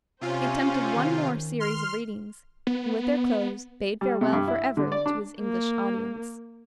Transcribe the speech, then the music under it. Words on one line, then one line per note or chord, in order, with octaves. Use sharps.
He attempted one more series of readings, and with their close bade farewell for ever to his English audience.
C3 C#4 F4 C5
D#3
C6 F6
B3
G3
C3
G2
E4
D3
D5
D4
A#3